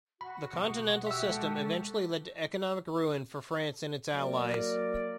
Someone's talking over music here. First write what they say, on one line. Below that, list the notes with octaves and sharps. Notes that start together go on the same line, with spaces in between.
The Continental System eventually led to economic ruin for France and its allies.
F#4 B5
B2
F#4 G4 E5 E6
G#3 A4
F#3 A#3 A#4 D5